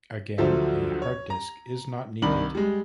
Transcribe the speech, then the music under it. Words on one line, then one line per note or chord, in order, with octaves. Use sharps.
Again, a harddisk is not needed.
D2 F3 F#3 A4 C5 E5
C#5
A#5
C2 D#3 D4 B5 F#7
G3 G#3